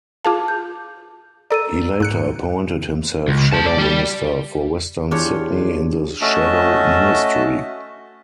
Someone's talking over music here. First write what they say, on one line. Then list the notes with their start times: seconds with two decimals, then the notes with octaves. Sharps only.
He later appointed himself Shadow Minister for Western Sydney in the Shadow Ministry.
0.25 F4 G#4 F5 A5 D6
0.48 G6
1.50 A4 D5 A#5 E6 D#7
2.00 G#2 F#6 C#7
3.28 C#2
3.53 F#3 A5
3.66 D5
3.79 G3 G4
5.11 E2 D4 F4 G4 C#5
6.21 A3 C#4 F#4 D#5 E5 A5